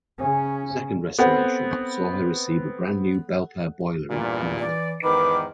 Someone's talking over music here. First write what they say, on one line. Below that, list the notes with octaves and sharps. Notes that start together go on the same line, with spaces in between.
The second restoration saw her receive a brand new Belpaire Boiler and tender tank.
C#3 C#4
B3 C4 A4 F#5
E2 G2 A#2
E3 D5
E2 G#2 D#3 B4 D6